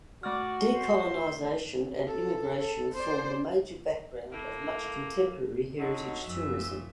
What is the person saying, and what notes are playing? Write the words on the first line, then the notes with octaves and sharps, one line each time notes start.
Decolonization and immigration form the major background of much contemporary heritage tourism.
A3 F#4 D5 F6
C5
A4
A4
C5 D5
A2 A#3
D3 F#3 D#4 F#4
F#2 A#2 F3 E5